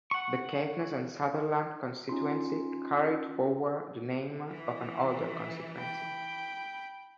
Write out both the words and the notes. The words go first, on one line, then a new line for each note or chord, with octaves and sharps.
The Caithness and Sutherland constituency carried forward the name of an older constituency.
F#5 C#6
C#4 D#4 F4 C6
E3
G5 B5